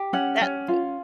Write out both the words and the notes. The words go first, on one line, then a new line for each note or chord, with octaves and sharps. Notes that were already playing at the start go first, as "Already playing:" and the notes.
That, uh,
Already playing: G4
C#4 F#5
C#4
F4